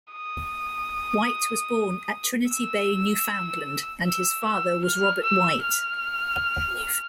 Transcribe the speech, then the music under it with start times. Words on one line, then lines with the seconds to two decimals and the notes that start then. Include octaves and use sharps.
White was born at Trinity Bay, Newfoundland and his father was Robert White.
0.12 D#6
2.49 E6
4.06 E6
4.45 E6
4.85 F6
5.23 E6
5.63 F6